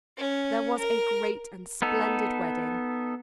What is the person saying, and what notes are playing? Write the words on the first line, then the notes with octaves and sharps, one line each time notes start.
There was a great and splendid wedding.
C#4
A#4
B3 D#4 A4